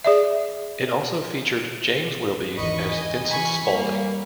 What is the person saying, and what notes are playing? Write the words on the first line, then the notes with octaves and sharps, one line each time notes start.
It also featured James Wilby as Vincent Spaulding.
G#4 D5 E5
G#1 E2 D#5 B5 C#6
D#5 G#5
E3 G#5 B5 C#6
G3 A#3